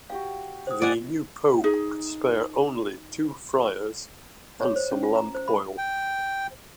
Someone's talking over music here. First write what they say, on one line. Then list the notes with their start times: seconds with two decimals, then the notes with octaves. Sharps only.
The new Pope could spare only two friars and some lamp oil.
0.10 F#4 G4 F5 G5
0.67 C5 D#6
0.82 D5 F#5 G#5
1.64 D#4 G#4
4.63 C#5
4.76 C5
4.91 C#4
5.03 F4
5.16 A#5
5.35 C5
5.48 B5
5.78 G5